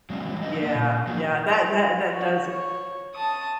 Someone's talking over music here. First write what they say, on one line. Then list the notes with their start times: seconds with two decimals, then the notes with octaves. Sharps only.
Yeah, yeah, that that that does
0.10 F#3 G#3 B3 C#4 D4
0.25 E3 F#3 G3
0.43 F3 G3 A4 B4 D#5
0.60 A3 A#3 D5
0.75 A#2
1.07 F3 F#3 A#3
2.12 F#4
2.48 C#5
3.15 A5 D#6